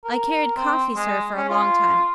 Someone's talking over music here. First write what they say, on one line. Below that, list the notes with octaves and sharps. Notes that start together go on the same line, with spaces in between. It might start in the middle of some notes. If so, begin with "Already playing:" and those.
I carried coffee, Sir, for a long time.
A#4
C4
G#3
C#4
F4